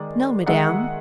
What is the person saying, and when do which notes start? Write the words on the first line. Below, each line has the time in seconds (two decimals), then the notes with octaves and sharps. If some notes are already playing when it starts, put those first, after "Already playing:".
"No, Madame."
Already playing: D#3 G#3 D5
0.47 D#3 G#3 E5 F#5